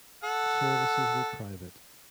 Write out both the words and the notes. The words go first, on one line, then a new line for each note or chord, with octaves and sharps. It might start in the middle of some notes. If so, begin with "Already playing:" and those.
Services were private.
A4 F#5